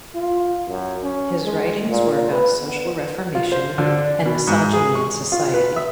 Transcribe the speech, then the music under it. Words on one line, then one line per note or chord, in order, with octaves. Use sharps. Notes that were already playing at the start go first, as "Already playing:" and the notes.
His writings were about social reformation and misogyny in society.
F4
F#2
C#4
G#3
A#2
B4
B3
F4
C5
D3
D4
B2
G#2
G#4
C#6
F4
B4
E5